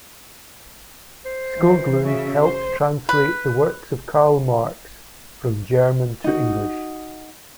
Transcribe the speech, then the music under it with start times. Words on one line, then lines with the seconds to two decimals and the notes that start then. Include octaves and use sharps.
Skoglund helped translate the works of Karl Marx from German to English.
1.25 C5
1.57 E3
2.04 C#3 F#4 E5
2.42 C5
3.09 B4
6.24 D#4 F#4